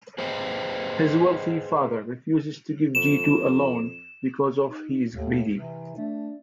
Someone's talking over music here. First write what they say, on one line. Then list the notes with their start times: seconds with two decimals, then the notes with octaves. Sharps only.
His wealthy father refuses to give Jeetu a loan because of he is greedy.
0.18 G#4 B4 C5 D#5 G5
2.95 F2 E7
4.68 D#4
5.14 D#2 A2
5.56 C3 E3
5.97 A3 D4